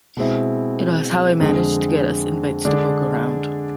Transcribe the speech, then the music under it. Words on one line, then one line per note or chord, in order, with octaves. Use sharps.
It was how I managed to get us invites to poke around.
B2 G#3 C4 E4
F2 D3 G#3 C4
D3 G#3 D4